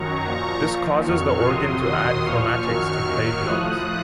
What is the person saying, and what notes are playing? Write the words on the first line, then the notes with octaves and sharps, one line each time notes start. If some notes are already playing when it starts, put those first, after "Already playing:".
This causes the organ to add chromatics to played notes.
Already playing: F#2 D#3 F#3 A#5 C#6
A#2 F3
A#2 F3
F2 D#3 F#3 C#6 F6
F2 C3 F#3 C6 D#6
D#2 D#3 F#3 C6 D#6
A#2 F3 C#6 F6
F#2 D#3 F#3
D#2 D#3 F#3 C#6 F6
A2 F3 D#6 F#6